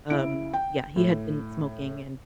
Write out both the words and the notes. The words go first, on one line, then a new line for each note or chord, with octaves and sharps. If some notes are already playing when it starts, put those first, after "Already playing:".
um, yeah, he had been smoking, and,
C#3 E4 D7
G5
A2